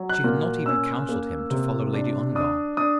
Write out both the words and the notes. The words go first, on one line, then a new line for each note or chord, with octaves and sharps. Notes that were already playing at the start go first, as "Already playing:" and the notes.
She had not even counselled him to follow Lady Ongar.
Already playing: F#3
F#6
A#2
C#4 E6
A#3
C3
D4
D4 D#6
D4 D#6